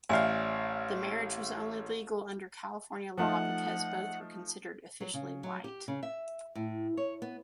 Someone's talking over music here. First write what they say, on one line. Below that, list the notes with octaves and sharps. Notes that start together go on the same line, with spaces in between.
The marriage was only legal under California law because both were considered officially white.
A1 D5 E5 F5 G#5
F3 A3 D#4 F#5
F#3
C#3
F#3
G4
C#3
E5
A2
C#5
B3